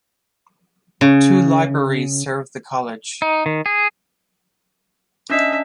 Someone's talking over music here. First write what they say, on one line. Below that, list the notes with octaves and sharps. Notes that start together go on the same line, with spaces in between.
Two libraries serve the college.
C#3
D#4
D#3
G#4
C#4 D4 D#5 E5